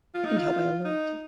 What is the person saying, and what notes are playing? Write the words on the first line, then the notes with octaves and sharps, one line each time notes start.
I can tell by your loyalty.
F4
D#4
F4
D#4